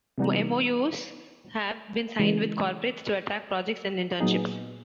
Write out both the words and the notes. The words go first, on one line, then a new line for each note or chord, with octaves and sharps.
MoUs have been signed with corporates to attract projects and internships.
C3 E3 G3 B3 D#4
C#3 E3 G#3
A#2 F#3 B3 D#4 G#4